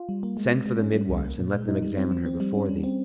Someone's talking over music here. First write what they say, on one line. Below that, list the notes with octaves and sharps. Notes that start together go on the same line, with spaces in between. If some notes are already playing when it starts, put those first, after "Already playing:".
Send for the midwives and let them examine her before thee.
Already playing: F4
G3
A#3
G#3
C4
G#3
C#4
G3
C2
A#3
A#2
G#3
D#4
G3
C4
F3
C4
G3
C#4
G3
C4